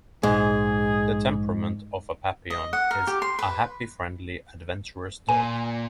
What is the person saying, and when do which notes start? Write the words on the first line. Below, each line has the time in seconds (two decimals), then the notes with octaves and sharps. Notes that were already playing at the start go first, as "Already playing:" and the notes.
The temperament of a papillon is a happy, friendly, adventurous dog.
0.23 A#1 G#2 G#4
2.50 D#5
2.73 F#5
2.91 A#4
3.07 G4
3.22 C6
3.39 B4
5.29 A#2 G#5